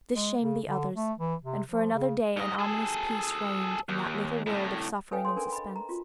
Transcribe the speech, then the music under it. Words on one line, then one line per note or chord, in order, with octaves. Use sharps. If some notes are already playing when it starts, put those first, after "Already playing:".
This shamed the others, and for another day an ominous peace reigned in that little world of suffering and suspense.
G#3
C#3
D3
A3
E3
C3
F3
C#3
G#2 D#5
G#4 A4
D#2
C2 A2
A4 B4 C#5 F5 G5 G#5
A4 C#5 C6
D4 A4 A#4 G#5
D#5 B5
A#5
F4 F#4